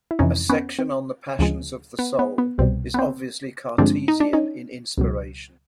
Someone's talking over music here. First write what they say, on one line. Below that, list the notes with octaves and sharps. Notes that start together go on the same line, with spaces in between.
A section on the passions of the soul is obviously Cartesian in inspiration.
E4
F2 C3 E3 C#4 D#4
B3 C#4
C4
D2 C#3 F3 G#3
B3
B3
B3
C2 B2 G3 C4
B3
C4
G2 D3 F3 G#3 C4 D4
D#4
D4
C#4 D#4
C#2 B2 F#3